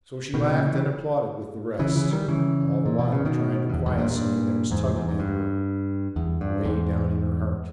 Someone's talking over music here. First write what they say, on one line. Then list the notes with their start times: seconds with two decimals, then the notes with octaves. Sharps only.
So she laughed and applauded with the rest, all the while trying to quiet something that was tugging at her away down in her heart.
0.34 B2 D#3
0.50 A#2 C#3
0.66 C#3 E3
1.79 C#3 E3
1.96 C#3 E3
2.12 D#3 G3
2.28 C#3 E3
2.86 A#2
2.99 B2
3.12 C#3
3.25 B2 D#3
3.70 G2
3.74 E2
3.86 E2 G#2
3.98 G2 A#2
4.10 G2 A#2
4.71 E2 G#2
4.95 E2 G#2
5.09 G#2
5.20 G2
6.16 E2
6.41 G2
6.65 E2 G#2